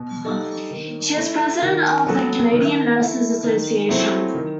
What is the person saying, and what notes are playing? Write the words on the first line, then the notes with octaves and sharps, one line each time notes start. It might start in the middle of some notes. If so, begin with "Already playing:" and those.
She was President of the Canadian Nurses Association.
Already playing: B2
G3 D#4 A4
D#3
A3 E4
D#3
F#3 B3 F#4 A4
D#3
A3 E4
D#3
F#3 A3 C4 E4
D#3